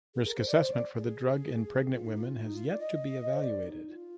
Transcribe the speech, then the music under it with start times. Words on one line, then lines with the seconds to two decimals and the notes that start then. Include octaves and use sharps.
Risk assessment for the drug in pregnant women has yet to be evaluated.
0.15 G#4
0.26 A#4
0.37 C5
0.47 D5
0.59 C5
0.71 D5
0.96 G#4
1.93 F4
2.04 D#4
2.16 F4
2.42 D#4
2.54 F4
2.69 D5
2.79 D#5
3.33 C5
3.40 D5
3.63 D#4
3.88 F4